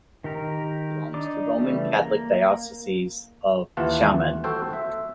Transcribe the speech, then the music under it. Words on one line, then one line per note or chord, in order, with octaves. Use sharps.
It belongs to Roman Catholic Diocese of Xiamen.
D#3 G4 A#4
D4 D#4 D5 D6
C#3 E3 G3 A3
A#3
D#2 E3 F4 F#5 A5
F#4 A4 C5 G5
E5